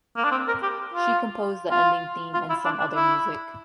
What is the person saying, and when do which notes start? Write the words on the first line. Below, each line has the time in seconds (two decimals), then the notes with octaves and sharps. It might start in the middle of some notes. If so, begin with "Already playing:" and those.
She composed the ending theme and some other music.
0.16 A#3
0.24 D4
0.31 C4
0.48 A#4
0.63 G4
0.94 F4
1.71 F4
2.34 F4
2.50 E4
2.65 D4
2.80 D4
2.96 E4